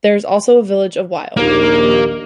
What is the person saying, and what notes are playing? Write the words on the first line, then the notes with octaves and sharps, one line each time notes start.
There is also a village of Wylye.
A#1 D#2 A#3